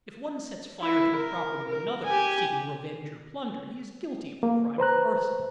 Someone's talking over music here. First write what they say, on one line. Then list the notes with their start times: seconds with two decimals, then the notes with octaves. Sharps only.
If one sets fire to the property of another, seeking revenge or plunder, he is guilty of the crime of arson.
0.81 E4
1.15 A#4
1.68 A#4
2.06 G4 G#5
4.43 A#3
4.78 B4 C5 A#5 F#6